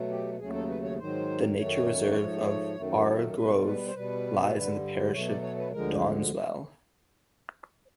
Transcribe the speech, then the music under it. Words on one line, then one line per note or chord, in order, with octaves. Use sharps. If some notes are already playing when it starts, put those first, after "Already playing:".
The nature reserve of Arle Grove lies in the parish of Dowdeswell.
Already playing: B2 F#3 A3
G4
D#2 C#3 F#3 A3 G#4
A4
B4
C#5
G#2 D#3 F#3 C5
F#2 D#3 F#3 A3 C#5
G#2 F3 A3
F#2 D#3 F#3 A3
B2 G3 B4
B4
C5
B2 G3 B4
G2 D3 G3
B2 F#3 A3 C#5
D5
C#5
B4
D2 D3 F3 G#3 A#4